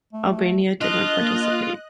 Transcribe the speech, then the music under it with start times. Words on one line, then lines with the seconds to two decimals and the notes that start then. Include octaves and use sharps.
Albania didn’t participate.
0.13 A3
0.81 D4 F4 D#5 F#6
1.21 A#3